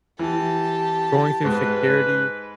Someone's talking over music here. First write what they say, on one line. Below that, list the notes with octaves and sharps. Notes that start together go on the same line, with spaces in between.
going through security,
E3 G4 A5
G#2 G#3 B4